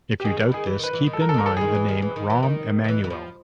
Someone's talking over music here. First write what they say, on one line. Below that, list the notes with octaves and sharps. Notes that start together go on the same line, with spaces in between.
If you doubt this, keep in mind the name Rahm Emanuel.
G4
D#3 G#4
E3
D#3 G#4
E3
D#3 B4
E3
D#3
A4
E3 A#4
A4
D#3 A#4
E3 A4
D#3 G#4
E3
D#3
E3
D#3
E3
D#3
D#3
E3
E3
F3